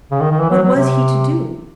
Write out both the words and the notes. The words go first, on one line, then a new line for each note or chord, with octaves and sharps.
What was he to do?
C#3
D#3
D#3
E3
F#3
F#3
C3